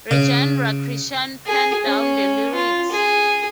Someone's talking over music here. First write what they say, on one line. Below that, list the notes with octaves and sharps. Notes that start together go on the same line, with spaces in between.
Rajendra Krishan penned down the lyrics.
C#3
G#4
C#4
F4
G#4